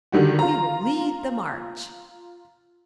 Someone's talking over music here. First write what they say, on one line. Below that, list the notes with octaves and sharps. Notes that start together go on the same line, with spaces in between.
"We will lead the march."
D3 D#3 G3 F#4
F4 A#5